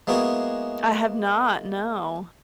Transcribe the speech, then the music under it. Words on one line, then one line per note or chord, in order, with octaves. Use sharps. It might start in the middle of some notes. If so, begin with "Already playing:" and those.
I have not, no.
G#3 A#3 B3 E4 F#4 G#4